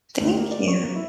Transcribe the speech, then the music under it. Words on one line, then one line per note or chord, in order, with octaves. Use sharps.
Thank you.
D2
A#3
D5
C#6
A#3
E4